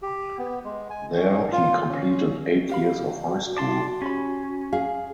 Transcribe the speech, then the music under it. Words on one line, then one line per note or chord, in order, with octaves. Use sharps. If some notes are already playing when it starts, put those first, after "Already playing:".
There he completed eight years of high school.
G4
B3
G#3
G#5
C#4
F4
C#4
F#4 G4 F5 B5
D5 A5 C6
C#4 G4 B5
G#4 F5